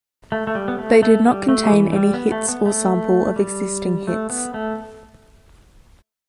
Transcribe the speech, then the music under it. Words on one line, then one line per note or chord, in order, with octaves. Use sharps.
They did not contain any hits or sample of existing hits.
A3
A3
G3
B3
A3
A3
G3
A3
G3
E3
A3
G3
B3
A3
B3
A3
G3
A3
B3
A3